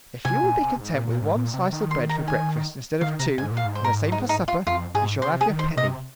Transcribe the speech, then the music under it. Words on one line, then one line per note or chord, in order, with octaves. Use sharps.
If you will be content with one slice of bread for breakfast instead of two, and the same for supper, you shall have your penny.
C3 G#5
A#2
C3
G#2
A#2
A#2
G#2
A#2
C3
D#3
C6
A#5
G#5
D#3 F5
C3 A#5
G#2 G#5
A#2
F5
G#2
C5
A#4
D#4
D#4
F4
F2 F4
G#2 G#4
C3 C5
G#4
D#3
C5
C3 D#5